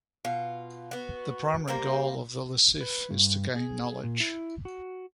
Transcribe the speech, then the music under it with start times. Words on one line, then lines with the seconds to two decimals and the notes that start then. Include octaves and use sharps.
The primary goal of the Ly-Cilph is to gain knowledge.
0.25 B2 F4
0.91 B3 F#4
1.68 G3 A#3 A#4 C5
2.81 B4
3.10 G2
3.56 G#4
4.04 A#2
4.20 E4
4.65 F#4